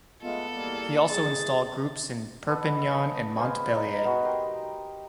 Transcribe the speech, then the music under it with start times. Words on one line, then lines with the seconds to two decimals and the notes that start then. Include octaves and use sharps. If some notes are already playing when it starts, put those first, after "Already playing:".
He also installed groups in Perpignan and Montpellier.
0.22 G#3 A3 B3 F4 A4
0.54 E2 G3 A#3
1.10 F2 A3 G#4 A6
2.48 A4 B4 D#5 F#5
3.37 G#4 B4 C5 F5
3.75 D#4
4.05 B3 F#4 G#4 D#6
4.25 G4 A#4 C6